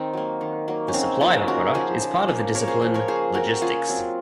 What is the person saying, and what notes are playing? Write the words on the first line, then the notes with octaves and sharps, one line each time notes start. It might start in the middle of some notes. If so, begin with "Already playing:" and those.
The supply of a product is part of the discipline Logistics.
Already playing: D#3 C4 D#4
F#3 A#3
D#3
F#3 A#3
C#4
C#3 C4 D#4
F3 A#3 C#4 F4
C#3 F#4 A#4
F3 A#3 G#4 C5
C#3
F3 A#3
C#3 A#4 C#5
G#4 C5
F3 A#3
A#4 C#5
C#3 G#4 C5
F#3 C4 F#4 A#4
C#3 F4 G#4
F#3 C4